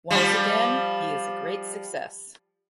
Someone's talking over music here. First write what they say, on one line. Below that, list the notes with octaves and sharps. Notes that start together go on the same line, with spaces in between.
Once again, he is a great success.
F3 G3